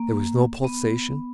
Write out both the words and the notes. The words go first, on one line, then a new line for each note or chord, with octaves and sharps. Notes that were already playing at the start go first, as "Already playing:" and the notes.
There was no pulsation.
Already playing: A#3
B3